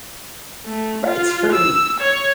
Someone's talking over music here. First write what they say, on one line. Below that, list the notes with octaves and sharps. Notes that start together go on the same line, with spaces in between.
Right, it's free.
A3
F4
E6
C#5